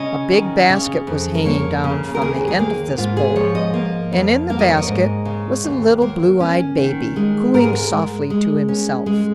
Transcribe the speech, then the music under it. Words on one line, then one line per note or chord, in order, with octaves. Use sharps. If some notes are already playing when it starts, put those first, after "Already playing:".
A big basket was hanging down from the end of this pole, and in the basket was a little blue-eyed baby, cooing softly to himself.
Already playing: C#3 C#4 D#5
D#3
C#3
F2
A#4
A#3 C#5
C#3
A#4
D#2 G#4
G#4
A#3
G#2 F4
G#4
F3 C#5
D#5
A#3
F2
A#3 F5
D#5
C#5
D#5
G#2
C#3
D#2
A#3
C#4
D#3
G#3
G#2 A#4
G#4
A#4
G#3
G#3
C#4
G#3